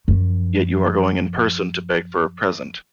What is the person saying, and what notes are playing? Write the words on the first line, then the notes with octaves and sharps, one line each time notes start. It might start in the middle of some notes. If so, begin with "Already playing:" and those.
Yet you are going in person to beg for a present.
F#2 F3